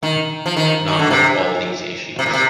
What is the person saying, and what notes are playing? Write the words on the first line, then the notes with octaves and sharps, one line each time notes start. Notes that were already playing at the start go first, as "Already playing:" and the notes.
Not with all these issues.
D#3
F3
D#3
D#3
D3
C3
C3
A#2
C3